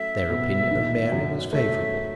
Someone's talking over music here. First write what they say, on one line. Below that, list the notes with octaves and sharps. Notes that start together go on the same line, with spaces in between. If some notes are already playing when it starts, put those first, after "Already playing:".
Their opinion of Mary was favourable.
Already playing: F#3 A3 C#4 E5
B2
D#3
F#2
A3 E5